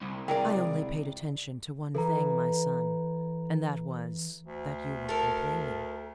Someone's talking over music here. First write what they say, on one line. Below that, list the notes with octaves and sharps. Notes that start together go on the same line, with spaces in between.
"I only paid attention to one thing, my son, and that was, that you were complaining."
C2
C#2 G#4 A#4 D5 F5 G5
E3 A4 A#5
D2
A4 A#4